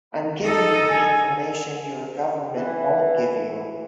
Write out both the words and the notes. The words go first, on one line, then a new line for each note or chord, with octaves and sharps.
I'm giving you the information your government won't give you.
D#4 A4
G#5
E3